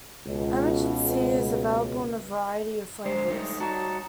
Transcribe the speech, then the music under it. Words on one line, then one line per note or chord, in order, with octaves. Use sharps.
Emergen-C is available in a variety of flavors.
C#2 B2
D3 G#3 C5
G3 A3 D#4
G3 D#4 F#4 A5